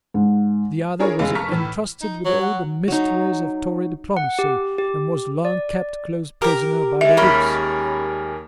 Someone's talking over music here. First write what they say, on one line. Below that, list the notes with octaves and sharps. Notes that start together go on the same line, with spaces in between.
The other was entrusted with all the mysteries of Tory diplomacy, and was long kept close prisoner by the Whigs.
G#2
D4 E4 G#4 A#4 C#5
F1 E2 G#3 C#4 F5
A5 A#5 C#6 F6 B6
A2 E3
D#4
F#3 C#5
F#5
F#3 D#4
F#5
G4
G4
D5
G4 A#4 A#5
G3 G#3 E5
D#2 C#4 A#4 B5